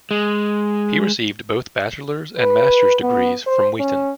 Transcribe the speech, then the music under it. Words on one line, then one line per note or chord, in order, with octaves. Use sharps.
He received both bachelor's and master's degrees from Wheaton.
G#3
B4
B3
C5
C#4